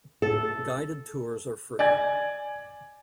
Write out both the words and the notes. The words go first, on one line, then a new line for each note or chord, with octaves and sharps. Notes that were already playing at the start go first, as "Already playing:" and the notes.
Guided tours are free.
A4
D5 G#5 G#6